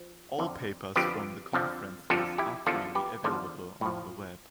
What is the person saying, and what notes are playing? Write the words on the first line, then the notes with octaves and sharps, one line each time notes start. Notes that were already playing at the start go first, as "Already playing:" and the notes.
All papers from the conferences are freely available on the web.
Already playing: F3
F2 D3 F3
F2 D3 F3 G4 B4
F2 D3 F3
F2 D3 F3 F4 A4
E4 G4
E2 D3 F3 F4 A4
G4 B4
E2 D3 F3 A4 C5
A2 F3